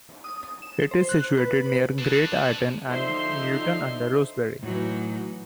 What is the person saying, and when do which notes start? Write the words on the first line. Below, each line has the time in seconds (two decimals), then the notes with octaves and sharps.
It is situated near Great Ayton and Newton under Roseberry.
0.24 D#6
0.62 E7
0.91 C5
1.09 F#6
1.38 B4
1.99 D4 B4
2.90 D3 F3 D#4 C5 E5 C6
4.63 A2 E3 F#3 D#4